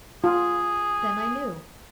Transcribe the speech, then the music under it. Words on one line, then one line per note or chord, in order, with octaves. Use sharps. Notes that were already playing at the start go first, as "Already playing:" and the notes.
Then I knew.
F4 G#4